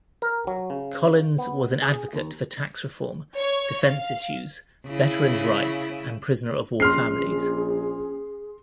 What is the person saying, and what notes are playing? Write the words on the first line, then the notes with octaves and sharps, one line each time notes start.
Collins was an advocate for tax reform, defense issues, veterans rights and prisoner-of-war families.
A#4
F#3
C#3
B3
G#4
D#2
C#5
F5
C#3 E4
A#1 C#4 G#4 C6 F6 C7